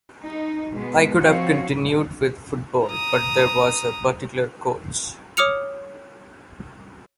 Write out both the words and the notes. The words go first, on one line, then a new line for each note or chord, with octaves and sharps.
I could have continued with football but there was a particular coach...
D#4
B2 G#3 B3
F3 C4 F#4 C#5 F5
A#5 D#6
C#5 D6 D#6 F6 C#7 F7